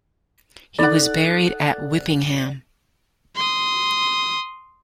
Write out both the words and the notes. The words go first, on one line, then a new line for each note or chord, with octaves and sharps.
He was buried at Whippingham.
D#4 A4 D5 F#5 B5
C6 D#6